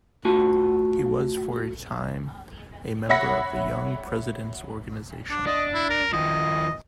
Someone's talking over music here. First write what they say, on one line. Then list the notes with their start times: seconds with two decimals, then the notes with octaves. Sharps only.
He was for a time a member of the Young Presidents' Organization.
0.25 A3 F4 F#4 A5
3.09 C#5 E5 F#5 B5 A#6 C#7
5.30 D4
5.46 D4 D#5
5.74 E4
5.90 A#4
6.13 D#3 F3 D#5